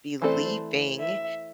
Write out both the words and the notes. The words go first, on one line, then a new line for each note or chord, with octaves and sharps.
be leaving,
E3 A3 C4 A4 C5 D5
E5